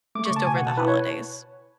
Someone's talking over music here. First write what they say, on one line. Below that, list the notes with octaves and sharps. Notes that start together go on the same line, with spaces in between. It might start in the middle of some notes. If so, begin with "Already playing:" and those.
just over the holidays?
A3 D6
C#6
C#3
A5
B2 G#5
F#5
B2 A5
E4 B4
C#5